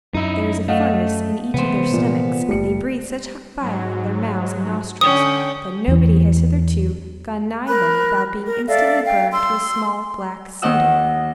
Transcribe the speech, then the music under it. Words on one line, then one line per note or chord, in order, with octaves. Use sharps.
There is a furnace in each of their stomachs; and they breathe such hot fire out of their mouths and nostrils, that nobody has hitherto gone nigh them without being instantly burned to a small, black cinder.
F#2 D#4 E4
A3 D#5 F5 F#5
C3 E3 G#3 B3 C5
A#2 F3
F#1 G3 A3 C#7
G#2 F#3
D3 C#4 G5 D#6
E2 E3
A#4 B5 F#6
A#4
A4 D5 E5 F5
F5 G5
C6 E6
D#2 D#3 A#3 D#5 F#5 E6